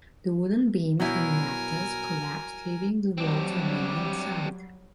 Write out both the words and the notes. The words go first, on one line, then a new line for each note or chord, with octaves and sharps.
The wooden beams and rafters collapsed, leaving the walls remaining on site.
B2 F#3 G3 E4 A#4 G#5
F#3 G3 C4 D4